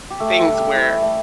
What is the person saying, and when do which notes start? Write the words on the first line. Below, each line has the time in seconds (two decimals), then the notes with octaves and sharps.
things where
0.10 G4
0.20 A3 A4
0.47 G3 G4
0.75 E3 E4
1.02 A3